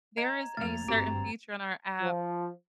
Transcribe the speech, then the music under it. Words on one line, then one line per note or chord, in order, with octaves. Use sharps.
there is a certain feature on our app,
D#5 A#5 G#6
F2 A3 A#3 A6 F7
G#1 G2 C4 F#4 G4 A#5
F3